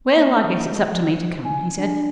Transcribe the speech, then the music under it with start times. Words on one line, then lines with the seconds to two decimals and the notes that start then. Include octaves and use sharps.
"Well, I guess it's up to me to come," he said.
0.15 A#3
0.44 E3
0.72 G#3
0.91 F3
1.45 G#5
1.78 D4